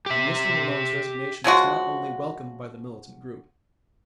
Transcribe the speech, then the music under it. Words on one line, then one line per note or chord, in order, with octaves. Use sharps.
And Mr. Malone's resignation was not only welcomed by the militant group.
G4 E5
C#3 F3 G#3 F#4